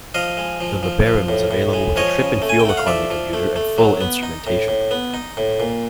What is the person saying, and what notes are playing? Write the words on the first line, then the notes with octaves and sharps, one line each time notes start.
The LeBaron was available with a trip and fuel economy computer and full instrumentation.
F3 D#5 F5
G#3
F3
F3
F3
A2
A2
G#3
F3 C#5 D#5
C#3
A3
G#5
G5
A3 F#5
F5
F3 D5 E5
F3
A3
A3
F#3
B3
D#4
A2
A2
B3
D#4
A2
A#2